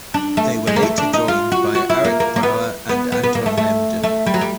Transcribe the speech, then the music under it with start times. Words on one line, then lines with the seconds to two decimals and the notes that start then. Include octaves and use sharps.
They were later joined by Arik Brauer and Anton Lehmden.
0.14 D4
0.37 A3
0.67 G#3
0.76 A#3
0.83 A3
0.98 D4
1.14 D#4
1.28 F4
1.52 F#4
1.75 F#4
1.90 E4
2.04 A#3
2.20 A#3
2.36 A#3
2.43 B3
2.89 B3
3.12 B3
3.23 B3
3.35 A#3
3.46 A3
3.58 A3
4.03 A3
4.26 G3
4.34 F#3
4.41 G3